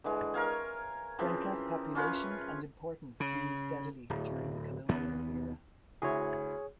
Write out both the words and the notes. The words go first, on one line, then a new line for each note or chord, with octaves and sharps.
Cuenca's population and importance grew steadily during the colonial era.
D3 E3 G#3
A#4 C#5 F5 G#5
C#3 E3 F3 C4
C#4 F4 B4 C#5
C#3
D1
D#2 B3
D2 E4 F#4 G#4 C#5